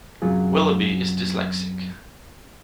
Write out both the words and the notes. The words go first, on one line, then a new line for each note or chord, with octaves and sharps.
Willoughby is dyslexic.
F#2 C3 F#3 F4 G#4